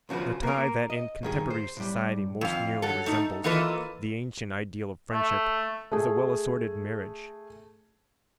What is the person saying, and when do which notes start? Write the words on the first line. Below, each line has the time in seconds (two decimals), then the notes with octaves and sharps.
The tie that in contemporary society most nearly resembles the ancient ideal of friendship is a well-assorted marriage.
0.09 C#2 C#3 F3 F#4 B4
0.43 A#3 A#4
0.90 D#5
1.23 G2 D#3 G#4
1.50 C5
1.77 A2 G3
2.41 F2 F5
2.82 F#3 A4
3.06 A3 D#4
3.44 E3 A#3 F4 A4 B4 D#5
5.13 A3
5.92 A3 G#4